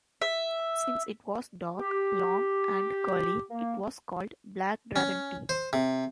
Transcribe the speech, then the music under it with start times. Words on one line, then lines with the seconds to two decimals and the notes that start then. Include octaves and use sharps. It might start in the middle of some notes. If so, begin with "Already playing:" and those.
Since it was dark, long, and curly, it was called Black Dragon tea.
0.22 E5
1.78 G4
3.50 A#3
4.96 C#4
5.49 C5
5.73 C3